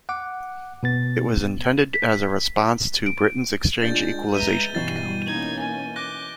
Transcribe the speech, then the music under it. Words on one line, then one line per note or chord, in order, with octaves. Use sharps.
It was intended as a response to Britain's Exchange Equalisation Account.
F#5 D6
B2 B3 A6
B6
D7
G#3 D4 F4 G6 A6
B4 E5 A#5 D#7 G7
G2 B2 E3 G3 B3 F#4 A6 C7
A#3 C#4 D#4 G#6
G#5
D6 F#6 A#6 G7